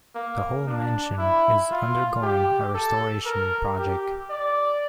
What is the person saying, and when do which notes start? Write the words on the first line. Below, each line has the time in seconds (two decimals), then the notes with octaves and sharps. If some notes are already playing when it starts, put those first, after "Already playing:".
The whole mansion is undergoing a restoration project.
0.15 A#3
0.67 D4
1.18 E4
1.71 F4
2.22 G4
2.74 A4
3.25 A#4
3.78 G4
4.30 D5